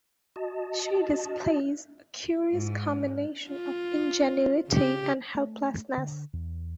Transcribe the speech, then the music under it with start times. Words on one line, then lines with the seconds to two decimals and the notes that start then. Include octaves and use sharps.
She displays a curious combination of ingenuity and helplessness.
0.36 F#4 D#5 A5
2.53 G#2
3.50 F4
4.67 C#3 G4
5.35 A3
5.97 D3
6.33 E2